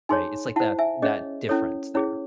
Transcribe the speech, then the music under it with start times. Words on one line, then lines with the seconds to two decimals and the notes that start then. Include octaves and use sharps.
right? It's like that that difference there.
0.09 D#4 G#4 C#5 G#5 C6
0.56 E4 C5 F#5 A5
0.79 E5 G#5
1.02 C#4 G#4 C#5 D#5
1.49 C#4 E4 A4 C#5
1.95 C#4 E4 G#4 C#5